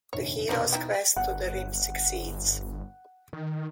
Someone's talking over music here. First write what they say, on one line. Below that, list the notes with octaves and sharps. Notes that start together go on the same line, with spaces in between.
The hero's quest to the rim succeeds.
F1 A#1 D#2 C#5
B2 F3 D4 D#4
D#4 E4 G5
G1 F#5
D#3